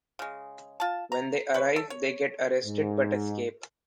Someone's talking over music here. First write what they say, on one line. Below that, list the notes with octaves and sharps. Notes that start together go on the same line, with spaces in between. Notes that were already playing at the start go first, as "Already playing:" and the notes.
When they arrive, they get arrested, but escape.
C#3 G#3
F4 A5
A#5
B4 C#5
A4
C#5
G#2